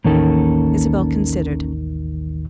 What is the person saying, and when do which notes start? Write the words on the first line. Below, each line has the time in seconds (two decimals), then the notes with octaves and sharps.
Isabel considered.
0.04 A1 D#2 D#3 A#3 C#4 A4